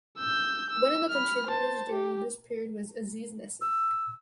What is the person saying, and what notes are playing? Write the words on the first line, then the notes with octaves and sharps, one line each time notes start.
One of the contributors during this period was Aziz Nesin.
E6 G6
E6
B5 F6
C5 A5
G4
E6